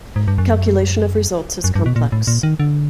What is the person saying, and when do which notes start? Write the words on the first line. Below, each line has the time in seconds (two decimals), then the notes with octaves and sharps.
Calculation of results is complex.
0.16 G#2
0.28 G2
0.38 F#2
1.64 F#2
1.75 G2
1.86 B2
1.96 A#2
2.12 A2
2.27 A#2
2.43 D#3
2.60 D3